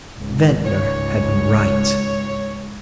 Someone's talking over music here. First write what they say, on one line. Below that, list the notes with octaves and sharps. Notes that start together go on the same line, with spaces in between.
Ventnor had been right.
C#2 G#2
C#5